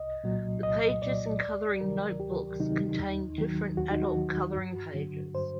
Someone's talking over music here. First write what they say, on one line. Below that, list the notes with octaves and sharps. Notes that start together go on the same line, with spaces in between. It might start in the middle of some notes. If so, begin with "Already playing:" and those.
The pages in coloring notebooks contain different adult coloring pages.
Already playing: C2 D#5
A#2 F#3
C2 D#5
A#2 F#3 D5
D2 D5
C3 D#3 F#3 A#4
D2 G4
C3 D#3 F#3 D#4
D#2
D#3 F#3
D#2 F#4
D#4
F#4
D#3 F#3
G2
D3 F#3
G2 C5